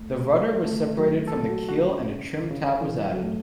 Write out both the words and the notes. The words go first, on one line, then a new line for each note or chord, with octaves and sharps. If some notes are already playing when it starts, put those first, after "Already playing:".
The rudder was separated from the keel and a trim tab was added.
Already playing: A3
A3
F#3
A4
F#4
F#4
C#4
C#3
C#3
E3
F#3
A3